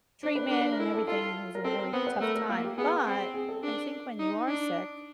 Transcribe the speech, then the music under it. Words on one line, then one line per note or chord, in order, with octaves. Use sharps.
treatment and everything, it was a really tough time, but I think when you are sick,
D4 C5
B4
D4 A#4
B4
A#4
E4 A4
A4
F4 A4
A#4
C4 A4
A#4
B3 C5
B4
A3 A#4
A#4
A#3 F4
G4
B3 G#4
C4
G#4
A4
D4 A#4
D#4
D4